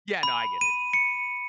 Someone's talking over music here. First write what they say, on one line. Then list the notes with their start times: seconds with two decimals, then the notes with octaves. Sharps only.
Yeah, no, I get it.
0.23 B5
0.61 D#7
0.93 C#7